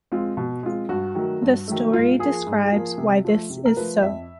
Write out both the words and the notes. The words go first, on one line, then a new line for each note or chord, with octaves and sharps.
The story describes why this is so.
G#3 C4 F4
B2
G#3 C4 F4
G2 F#4
D#3 F#3 A3
G2
D#3 F#3 A3
G#2 F4
F3 A#3 G#4
G#2
F3 A#3
C3
F3 A3
C3
A#4
F3 A3 B4
F2 E5